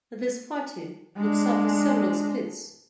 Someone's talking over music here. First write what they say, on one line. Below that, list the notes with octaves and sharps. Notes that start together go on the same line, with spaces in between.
This party would suffer several splits.
G#3 D4